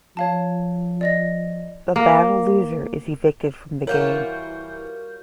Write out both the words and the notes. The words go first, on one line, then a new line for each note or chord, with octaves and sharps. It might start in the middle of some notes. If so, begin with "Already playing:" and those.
The Battle loser is evicted from the game.
F3 C#5 F5 A5
D5 D#5 A#6
A#3
E3 G3 F4 F#4 A#4 C#5 G6